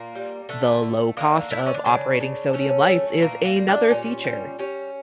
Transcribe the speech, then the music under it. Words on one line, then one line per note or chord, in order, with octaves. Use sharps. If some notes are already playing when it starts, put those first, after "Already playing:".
The low cost of operating sodium lights is another feature.
Already playing: A#2 A#3
G3
D3 A3
A3
D3 A#3
A3 E4
D4
C#4
D4
C#3 D4
C#3
A3 C#4
A3
A#2 A#3
A#3
G3
D4
A#2 C#4
G3
G3 C#4